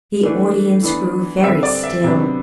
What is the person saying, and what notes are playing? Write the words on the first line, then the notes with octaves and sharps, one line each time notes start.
The audience grew very still.
E3 A3 D4
E3 B3 D4
D3 G3 C4 E5
D5
E5
C3 F#3 B3 D4